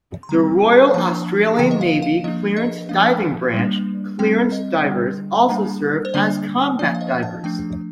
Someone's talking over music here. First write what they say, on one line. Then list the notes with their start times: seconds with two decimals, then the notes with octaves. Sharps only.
The Royal Australian Navy Clearance Diving Branch clearance divers also serve as combat divers.
0.23 C6
0.29 D3 G3 C4 A#5
0.94 F3 A#3 D4 A5
1.59 D3 F3 A#3 G5
1.71 D#5
1.81 F5
2.02 F5
2.24 F3 A#3 D4 D#5
2.57 D#5
2.89 F3 A#3 D4 F5
3.54 G3 A#3 D4
4.19 G3 C4 G5
4.52 D#5
4.84 D3 G3 D4
5.49 G3 A#3 D4
6.05 C5
6.14 D3 G3 A#3 D4 D5
6.79 F3 A#3 D4 D5
6.95 F5
7.01 D#5
7.23 A5
7.44 F3 A3 D4 G5